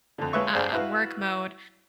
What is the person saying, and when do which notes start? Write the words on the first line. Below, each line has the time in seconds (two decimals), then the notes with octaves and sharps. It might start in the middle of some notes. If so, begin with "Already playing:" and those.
um, work mode,
0.18 F2 D3
0.33 G#3 F4 B4 C#5 E5 C#6
0.54 G2 G#4 C5 D5 F5 A5
0.72 E4 F#4 B4 F5